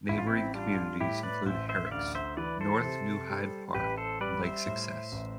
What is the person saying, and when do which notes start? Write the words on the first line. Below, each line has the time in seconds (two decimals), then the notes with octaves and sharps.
Neighboring communities include Herricks, North New Hyde Park, and Lake Success.
0.09 A1 E4
0.18 F4
0.27 C4 E4
0.54 G3 D4 F4
1.00 A2 E4 G4
1.23 B4 D5
1.46 A1 C5 E5
1.69 C5 E5
1.87 E5
1.91 D2 D5 F5
2.15 C5 E5
2.37 E3 B4 D5
2.61 A4 C5
2.83 C3
3.30 G3
3.74 A1 G4 B4
3.98 A4 C5
4.20 G3 B4 D5
4.43 C5 E5
4.66 A2
5.12 A1